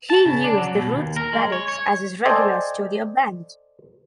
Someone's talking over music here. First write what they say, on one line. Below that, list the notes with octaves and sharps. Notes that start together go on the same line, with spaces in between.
He used the Roots Radics as his regular studio band.
A5
C#3
D4
F#3
B2
D#2
A#4
G#3
C#5
C#5
A4 C5 D5 D#5 G5 G#5